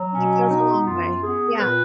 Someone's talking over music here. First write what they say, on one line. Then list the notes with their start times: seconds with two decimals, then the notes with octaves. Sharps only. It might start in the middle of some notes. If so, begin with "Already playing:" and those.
it goes a long way, yeah.
Already playing: F#3
0.13 B2 C#4
0.50 B3 D#4
0.86 F#2 F4
1.23 B3 G#4
1.54 A#4
1.59 A#2 B4